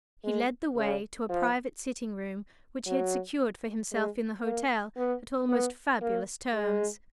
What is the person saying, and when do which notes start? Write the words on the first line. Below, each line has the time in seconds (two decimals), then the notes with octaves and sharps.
He led the way to a private sitting-room which he had secured for himself in the hotel at almost fabulous terms.
0.24 G#3
0.77 C#3
1.29 F3
2.87 F#3
3.92 G#3
4.44 A#3
4.97 B3
5.49 B3
6.02 A#3
6.54 G#3